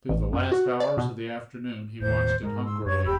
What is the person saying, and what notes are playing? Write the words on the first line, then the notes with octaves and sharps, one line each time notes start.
Through the last hours of the afternoon he watched it hungrily.
A1
F#2
F#4
D5
B2
D#2 A2 C5 G6
G#2 G#3 A#4
C6 E6
F#2 C#5 C#6 G#6
E1 G4 B5 E6